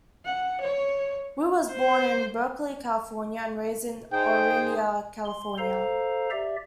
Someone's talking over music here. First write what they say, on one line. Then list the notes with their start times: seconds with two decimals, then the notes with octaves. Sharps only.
Wu was born in Berkeley, California, and raised in Orinda, California.
0.25 F#5
0.61 C#5
1.72 C5
4.12 D#4 G#4 C5 G5
5.25 C6
5.58 A4 C5 F5 A#5
6.31 G4 D5 E5